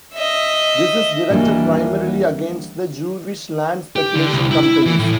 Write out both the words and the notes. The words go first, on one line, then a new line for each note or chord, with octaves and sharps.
This is directed primarily against the Jewish land-speculation companies.
D#5 E5
D#2 E3 G3 A#3 D4 F#4
G4
D3
C2
E4
E3
A2